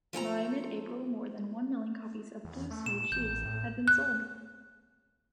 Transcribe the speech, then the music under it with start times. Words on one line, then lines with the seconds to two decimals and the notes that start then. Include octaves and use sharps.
By mid-April, more than one million copies of "Blue Suede Shoes" had been sold.
0.13 F3 A4 G#5 A#5
2.45 E2
2.71 A3
2.86 A#2 E7
3.12 A1 G6
3.45 A2
3.88 F#6